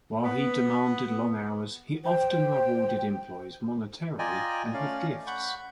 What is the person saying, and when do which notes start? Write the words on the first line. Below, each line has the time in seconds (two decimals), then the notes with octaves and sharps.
While he demanded long hours, he often rewarded employees monetarily and with gifts.
0.24 B3
2.05 C5 G5
4.19 F4 D5 D#5 G5 G#5 A#5
4.74 A3 C#4 D5 F5
5.27 F#5 B5 C#6 G6